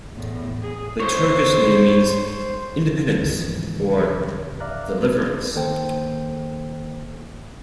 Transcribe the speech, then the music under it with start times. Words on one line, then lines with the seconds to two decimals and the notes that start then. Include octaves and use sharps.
The Turkish name means "independence" or "deliverance".
0.15 E2 A2
0.61 G#4
1.00 C5 C#5
3.28 D#2 G#2 C#3 E3 F3
4.60 D5 E5 F5 A#5 F#6
5.55 D#3 A#3 A4 C5 G5